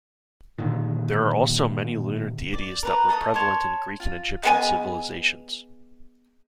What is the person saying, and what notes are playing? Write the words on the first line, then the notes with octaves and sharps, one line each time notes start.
There are also many lunar deities that were prevalent in Greek and Egyptian civilizations.
A#2 D3 D#3
D5
A#4 B4 A#5
A4 D#5 A#5 D#6
C#5 A5 C6
F4
G#3 B3 G#5